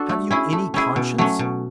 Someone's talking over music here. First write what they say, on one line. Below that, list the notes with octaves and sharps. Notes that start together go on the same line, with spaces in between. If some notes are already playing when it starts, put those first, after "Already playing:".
Have you any conscience?
Already playing: D4 F#4 A4
A3
C#4 E4 G#4
A3
C#4 E4 G#4
B2
F#3 A3 C#4
B2